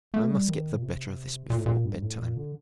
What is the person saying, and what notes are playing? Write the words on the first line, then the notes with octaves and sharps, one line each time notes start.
I must get the better of this before bed-time.
A3
G3
D#3
A#2
C3
A#2
A2
A#2
G2
A2
A#2
D3